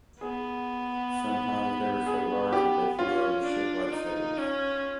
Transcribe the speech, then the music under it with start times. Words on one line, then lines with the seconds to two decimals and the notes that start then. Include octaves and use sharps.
Sometimes they were so large that they flew over the ship like sails.
0.21 B3 G#4
2.06 G#4
2.53 G4
2.99 C#4 F4
3.46 D4
3.92 D#4
4.38 C#4